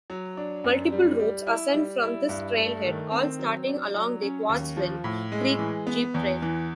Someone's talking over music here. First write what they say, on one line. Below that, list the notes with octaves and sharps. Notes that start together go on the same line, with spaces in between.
Multiple routes ascend from this trailhead, all starting along the Quartzville Creek Jeep Trail.
F#3
D4
F#2
G3
G3
E4
G3
E4
G2
A3
D#3
C4
F#3
D4
F#3
C#4
D#2
F3
A2
G#3
E3
B3
E2
E3